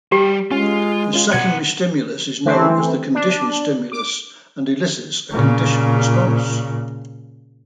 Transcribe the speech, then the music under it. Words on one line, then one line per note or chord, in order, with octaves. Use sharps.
The secondary stimulus is known as the conditioned stimulus and elicits a conditioned response.
G3 G4
G#3 C#4 F4
C#4 F4
B2 C4 F#5 G#6
E3 A3 C4
D4
D6
A#2 C#3